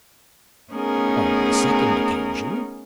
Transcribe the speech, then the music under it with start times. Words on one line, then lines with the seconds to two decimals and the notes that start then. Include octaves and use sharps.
"On the second occasion."
0.72 A3 B3 C#4 D#4 G#4 A#4